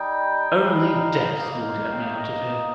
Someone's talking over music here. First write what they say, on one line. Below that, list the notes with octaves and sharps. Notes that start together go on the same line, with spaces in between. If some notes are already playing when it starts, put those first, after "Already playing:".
Only death will get me out of here.
Already playing: G3 D#4 G5
G3 D#4 F5
A#3 D#4 F5
G5
F5
A#3 D#4 D#5